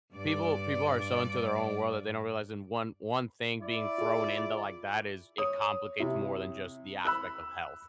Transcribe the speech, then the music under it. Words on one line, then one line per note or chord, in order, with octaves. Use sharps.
people people are so into their own world that they don't realize in one one thing being thrown into like that is it complicates more than just the aspect of health.
G2 D5
E4 D5
F4 G#4
C#5 D#6
C3 E4
B5 E6 F#6